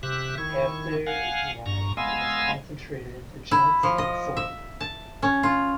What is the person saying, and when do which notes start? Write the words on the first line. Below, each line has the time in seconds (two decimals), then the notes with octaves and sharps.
After drying it is concentrated into chunks and sold.
0.03 C3 G4 E5 F#6
0.38 D#3 E4 C#6
1.07 F5 F#5 G#5
1.66 G2 A#5 C#6
1.97 G#3 B3 D#5 F5 G#5 E6
3.51 E4
3.83 F3
3.98 D#5
4.37 E5
4.80 A5
5.22 C#4
5.43 F4